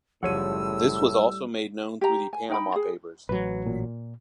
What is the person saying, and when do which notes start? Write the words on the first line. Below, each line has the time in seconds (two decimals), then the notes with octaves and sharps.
This was also made known through the Panama Papers.
0.23 F#1 A2 F3 G3 C#5 F#5 E6 D#7
2.01 G4 A#5
2.33 G#5
2.49 D#4 G5 B5
2.76 G#4
3.29 A1 F#3 B4
3.66 A#2